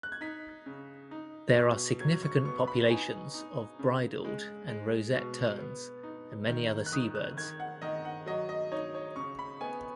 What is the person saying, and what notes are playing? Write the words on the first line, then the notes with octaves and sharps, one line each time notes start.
There are significant populations of bridled and roseate terns and many other seabirds.
F#6
G#6
D#4 B6
C#3
D#4
B2
F#3 G#6
C#6
B3 C#6
B5
D#4 G#5
D#4
C#3
G#3
G#3
B2
B3
D#4
D#3
F#6
D#3 D#6
F#6
D#3 G#6
F#5
D#3 D#5
F#5
F#3 D#5
D#5
D#4 C#5
C#5
C#3 C#6
B5
B3 G#5